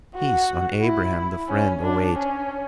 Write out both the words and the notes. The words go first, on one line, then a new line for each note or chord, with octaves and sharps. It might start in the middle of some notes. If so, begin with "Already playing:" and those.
Peace on Abraham the Friend await!
F#4
E4
C#4
D4
C#4